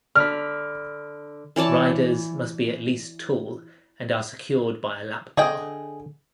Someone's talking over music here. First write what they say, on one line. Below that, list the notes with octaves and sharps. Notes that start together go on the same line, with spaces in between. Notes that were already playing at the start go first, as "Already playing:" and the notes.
Riders must be at least tall and are secured by a lap bar.
D3 B5 F6
E3 C#5 D5 A5
D3 G#4 D#5 G5